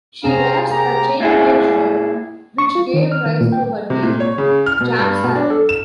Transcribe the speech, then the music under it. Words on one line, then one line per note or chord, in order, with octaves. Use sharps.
She wears a chainmail shirt, which gave rise to her name, "Jamsaran".
C3 C4 C#4 G#4 F5 A#5
A#3 G4 G#4 A#5
A#2 E4 G#4
C#6
F4
D#3
F6
D#3
A#2
G5
C3
A#2
C#5
C#3
F6
B2
G2
B2
D4
A4
E7